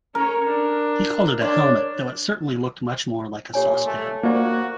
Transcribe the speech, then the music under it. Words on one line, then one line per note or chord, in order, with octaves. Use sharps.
He called it a helmet, though it certainly looked much more like a saucepan.
C#4 A#4 C#5
D4
D4 C#5 D5
A#2 G4 C#5 G#5
A3
A#3 F4 F#4 C5 D5